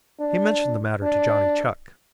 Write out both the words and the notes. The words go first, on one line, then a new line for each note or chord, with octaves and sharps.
He mentioned the matter to Johnny Chuck.
D4
D4